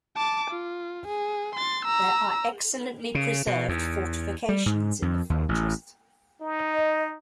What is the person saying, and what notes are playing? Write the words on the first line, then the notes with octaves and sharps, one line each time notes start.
There are excellently preserved fortifications in the fortress.
A5 D6
F4
G#4
C6 A6
A#5 E6
C#3
B2
E2
G3
G#2
F2
D#2
A1
D#4
D#5